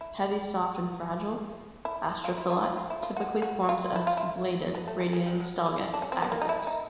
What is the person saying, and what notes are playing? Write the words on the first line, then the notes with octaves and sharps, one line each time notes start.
Heavy, soft and fragile, astrophyllite typically forms as "bladed", radiating "stellate" aggregates.
E4
E4
F4
E4
F4
F4
F4
E4
F4
F#4
F#4
F4
E4
F4
E4
B3
A3
G3
G#3
G3
F#3
G#3
D4
C#4
C4
B3
A#3
D#4
E4
D#4